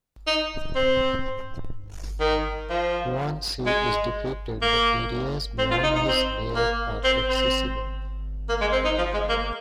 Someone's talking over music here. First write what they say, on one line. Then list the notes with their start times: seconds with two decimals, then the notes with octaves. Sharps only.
Once he is defeated, the areas beyond his lair are accessible.
0.27 D#4
0.75 C4
2.20 D#3
2.70 F3
3.66 G#3
4.62 A#3
5.58 C4
5.71 F4
5.83 D#4
5.95 D#4
6.08 C4
6.55 A#3
7.04 C4
7.28 C4
8.49 A#3
8.61 G#3
8.73 C4
8.85 D#4
8.98 F3
9.13 G#3
9.29 A#3